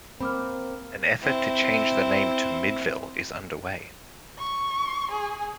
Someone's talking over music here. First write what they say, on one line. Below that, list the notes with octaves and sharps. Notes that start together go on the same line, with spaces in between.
An effort to change the name to MidVil is underway.
A#3 C4 B5 D6 F6
C4 E4
C#6
G#4